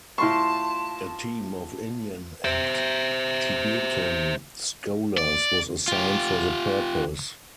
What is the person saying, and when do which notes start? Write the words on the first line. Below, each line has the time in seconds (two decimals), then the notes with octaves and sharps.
A team of Indian and Tibetan scholars was assigned for the purpose.
0.18 A2 F4 A5 C6 C#6
2.44 C5 E5
5.17 D5
5.88 F4 G4